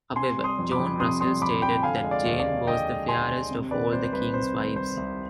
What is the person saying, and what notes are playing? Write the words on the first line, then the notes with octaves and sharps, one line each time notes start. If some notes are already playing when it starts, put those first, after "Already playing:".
However, John Russell stated that Jane was the fairest of all the King's wives.
C3 G#5 C6
G3
C6 D#6
F2
B5 D6
F2
C3 C6 D#6
G3 C6 D#6
F2 B5 D6
F2 G5 B5
D3 F5 G#5
G#3
D5 F5
D#2
D5 F5
D#2
D3 D#5 G5
G#3
D#2 G#5 C6
D#2
C3
D#3 B4 D5
C2 C5
C5
C2 B4
C3 C5
D#3
C2 C5
C2